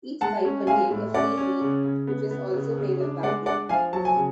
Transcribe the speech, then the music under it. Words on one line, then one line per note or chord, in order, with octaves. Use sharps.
Each pipe contained a free reed, which was also made of bamboo.
G#3 F#5 A5
C#4
G#3 F5 G#5
A2
C#4 D5 F#5
C#4
C#3
C#3
B3
B3
C#3
C#3
D4
G#3 D5 F#5
D4 D5 F#5
F3 F5 G#5
F#3 A5
G#5
C#3